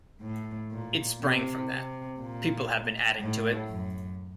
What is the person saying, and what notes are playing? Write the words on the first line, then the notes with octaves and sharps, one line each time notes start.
It sprang from that, people have been adding to it.
A2
A#2
C3
C3
A#2
A2
F#2